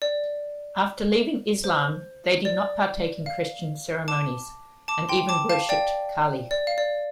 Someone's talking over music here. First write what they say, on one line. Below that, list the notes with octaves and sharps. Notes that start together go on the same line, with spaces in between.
After leaving Islam, they did not partake in Christian ceremonies and even worshiped Kali.
D5
C5
D5
F5
A5 D6
A5 D6
G5 C6
A5 D6
F5 A5
D5 G5
D5
F5
D5